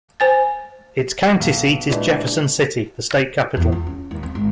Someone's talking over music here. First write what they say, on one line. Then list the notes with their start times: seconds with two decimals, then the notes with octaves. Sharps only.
Its county seat is Jefferson City, the state capital.
0.20 C5 G#5 A6
1.40 B1
1.89 A#2 E3 G#3 D4
3.57 E2
3.72 F4
3.87 C#4
4.11 D#2
4.23 C4
4.35 G#1